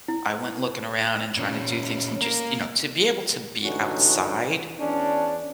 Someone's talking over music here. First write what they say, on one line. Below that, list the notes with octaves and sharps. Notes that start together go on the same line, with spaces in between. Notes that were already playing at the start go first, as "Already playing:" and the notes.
I went looking around and trying to do things and just, you know, to be able to be outside
E4
A#2 C#4
A#3 A#4
A1 D3 C#4 D#4 F#4
E2 C#4 D4